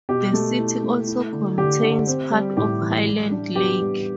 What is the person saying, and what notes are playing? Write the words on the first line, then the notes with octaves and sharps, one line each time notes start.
The city also contains part of Highland Lake.
B2 G4
A3
E4
A3
E4
D3
D3 G4
D3
C4
G3
A2 G4
E3
G3
D4
B3 G4
G3